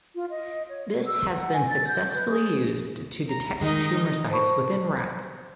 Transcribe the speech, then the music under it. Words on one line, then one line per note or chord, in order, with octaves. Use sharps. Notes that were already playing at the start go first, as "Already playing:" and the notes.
This has been successfully used to detect tumor sites within rats.
F4
D#5
C#5
F#4
E6
F#5
G#5
A6
G6
B4
G#4
A#5
D#3 G#3 D#4 D#5
C5 A5 B5 C#6